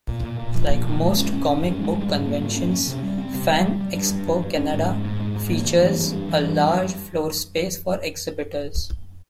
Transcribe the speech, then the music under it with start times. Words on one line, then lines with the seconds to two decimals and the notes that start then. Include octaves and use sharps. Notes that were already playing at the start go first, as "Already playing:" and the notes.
Like most comic book conventions, Fan Expo Canada features a large floorspace for exhibitors.
0.08 A#2
0.24 A#2
0.39 A#2
0.55 F3
0.70 A#2
0.86 A#2
1.01 G#3
1.17 C#4
1.33 C#4
1.47 C#4
1.63 G2
1.79 G#3
1.95 G3
2.09 G#2
2.25 A#3
2.41 G#2
2.56 C#4
2.71 C#4
2.87 C3
3.03 G3
3.18 C4
3.34 C3
3.50 G3
3.65 G3
3.81 G3
3.96 G2
4.11 G2
4.27 G2
4.43 G2
4.58 C#4
4.73 G#2
4.89 G#2
5.05 G#2
5.21 G#2
5.36 G#2
5.51 A#3
5.67 E3
5.82 G2
5.98 G2
6.13 G2
6.29 E3
6.44 G2